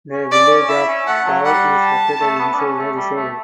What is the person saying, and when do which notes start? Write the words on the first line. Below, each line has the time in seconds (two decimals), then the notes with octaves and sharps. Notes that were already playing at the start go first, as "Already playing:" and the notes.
The village of Kaw is located inside the reserve.
0.12 C#4
0.31 C#4 D5
0.50 C#4
0.69 E4 E5
0.88 C#4
1.07 A3 F#5
1.26 F#3
1.45 G3 F#5
1.82 A5
2.21 A3
2.39 B3
2.54 D4
2.59 C#4
2.78 A3
2.96 G3
3.15 A3